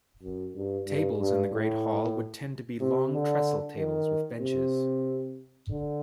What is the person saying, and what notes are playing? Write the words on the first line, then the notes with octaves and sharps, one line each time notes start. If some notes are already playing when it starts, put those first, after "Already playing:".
Tables in the great hall would tend to be long trestle tables with benches.
F#2
G2
G2
G2
A2
C3
D3
D#3
C3
D3